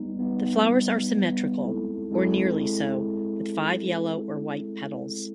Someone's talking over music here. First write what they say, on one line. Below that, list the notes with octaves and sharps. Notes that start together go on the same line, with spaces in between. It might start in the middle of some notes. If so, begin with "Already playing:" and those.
The flowers are symmetrical or nearly so, with five yellow or white petals.
Already playing: G3 B3 D#4
G3 B3 D#4
G3 B3 D#4
G3 B3 D#4
G#3 C4 E4 A4
G#3 C4 E4 A4